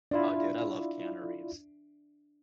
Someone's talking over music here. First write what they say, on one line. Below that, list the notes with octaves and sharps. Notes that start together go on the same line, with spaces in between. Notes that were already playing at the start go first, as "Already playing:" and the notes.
Oh, dude, I love Keanu Reeves.
D4 E4 F4 D5 E5